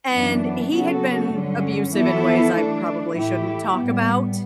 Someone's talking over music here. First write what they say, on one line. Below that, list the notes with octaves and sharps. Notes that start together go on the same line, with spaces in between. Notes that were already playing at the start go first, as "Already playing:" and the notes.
and he had been abusive in ways I probably shouldn't talk about
F#2 E3 B3 D4
C#3 F#3 B3 F#4 A4
G2 D3 F#3 C#4
E3 B3 E4 A4
E3 A3 D4
A2 E3 A3 E4 G4
A2 G3 B3